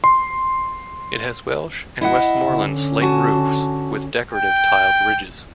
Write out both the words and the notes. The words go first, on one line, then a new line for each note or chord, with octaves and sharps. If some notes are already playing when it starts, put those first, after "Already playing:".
It has Welsh and Westmorland slate roofs with decorative tiled ridges.
C6
E4 D#5 F#5
D3 C#4
F#4 G#5 A5
G5